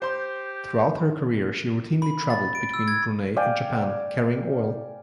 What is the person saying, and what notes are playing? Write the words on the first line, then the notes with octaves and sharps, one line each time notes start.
Throughout her career she routinely traveled between Brunei and Japan carrying oil.
G4 C5 C6
B5
A6
D7
E6
G#6
D5 F5 G5 G#5